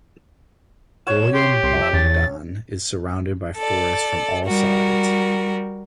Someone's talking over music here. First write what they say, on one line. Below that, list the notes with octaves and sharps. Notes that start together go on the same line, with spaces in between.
Golyam Bogdan is surrounded by forests from all sides.
C#5 F#5 E7
G4 C6
C2 C6
E5
E2 A6
A4 D5
G3 F#4 A#4